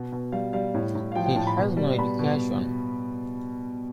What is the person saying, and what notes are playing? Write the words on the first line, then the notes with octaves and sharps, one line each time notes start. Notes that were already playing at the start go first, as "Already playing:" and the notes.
He has no education.
Already playing: B2
B2
G3 F5
G3 F5
A2
A2
F5
F3 G5
G5
A2 A5
B5
B2
G3
B2 B5
B2